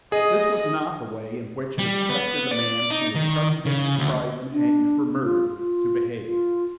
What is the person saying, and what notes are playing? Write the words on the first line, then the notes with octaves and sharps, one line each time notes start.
This was not the way in which it expected a man who would presently be tried and hanged for murder to behave.
G#4 D#5
G3
B3
D5
D#4
D#3
C#3
D2
D4
F4
F4
F4